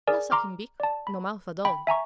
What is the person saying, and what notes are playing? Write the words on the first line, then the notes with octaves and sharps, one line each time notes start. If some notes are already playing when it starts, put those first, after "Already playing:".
No sucking-beak, no mouth at all.
G#4 A#4 D5 G#5
A#5 C6 D6 F6
D5 A5
B5
G5 B5
E5 G#5 A#5 C#6